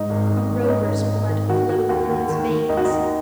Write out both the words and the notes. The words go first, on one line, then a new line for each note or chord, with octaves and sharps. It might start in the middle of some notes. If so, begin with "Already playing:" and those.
A rover's blood flowed in its veins.
Already playing: G#2 D#4
G#1
G#1
D#3
C#4
G#2 D#4
G#1
G#1
D#3
D#3 F#4
D#3 F#4
D#2 F#4
D#2
D#3
D#3
D#2 D#4
F#4
D#2 D#4